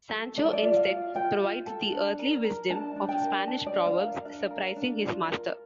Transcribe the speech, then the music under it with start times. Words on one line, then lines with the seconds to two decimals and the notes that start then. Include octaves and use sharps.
Sancho instead provides the earthly wisdom of Spanish proverbs, surprising his master.
0.12 A4
0.37 A4 D5
0.45 E5
0.53 D5
0.63 F4
0.77 F5
0.89 F4
1.15 F4 G5
1.41 F4
1.66 A4
1.92 D4
2.19 A#4
2.45 A#4
2.70 D4 A5
2.96 D4
3.09 G5
3.22 A#4
3.47 D4 A5
3.66 D5
3.73 D4
3.86 F5
3.99 A#4
4.25 D4 F5
4.51 A#4
4.76 D4
5.03 F4
5.28 A#4